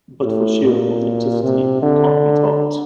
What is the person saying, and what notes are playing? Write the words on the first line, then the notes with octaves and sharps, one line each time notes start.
But for sheer authenticity, it can't be topped.
A2
A#2
C3
D3